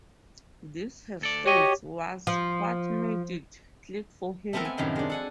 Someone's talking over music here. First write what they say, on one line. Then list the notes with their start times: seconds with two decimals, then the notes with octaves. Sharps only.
This, he says, was what made it "click" for him.
1.21 D2 A4 D5
1.46 F#4 G4 C#5 D#5
2.27 F3
4.53 A3 B3 C4 A4 A#4 A5
4.65 G#5
4.78 F#2 A2 C3 D#3 F3
4.96 G#3 D4
5.10 A4 F#5 G#5